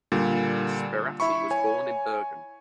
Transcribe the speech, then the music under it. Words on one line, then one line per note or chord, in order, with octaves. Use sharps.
Sperati was born in Bergen.
A#2 D3 G3
E4 E5 B5 C#6
C#5 G#5